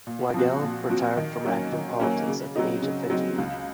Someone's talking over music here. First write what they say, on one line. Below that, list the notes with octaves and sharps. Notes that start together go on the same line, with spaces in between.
Wiegel retired from active politics at the age of fifty-eight.
A#2
F3 C4 F#4
A#2
F3 C4 F#4
D#3
F#3 A#3 C#4
D#3
F#3 A#3 C#4
C#3
F#3 C4 D#4
C#3
F#3 C4 D#4
C#2